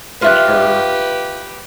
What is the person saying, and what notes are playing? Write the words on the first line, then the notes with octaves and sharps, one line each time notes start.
and her
F4 G4 B4 E5 F#6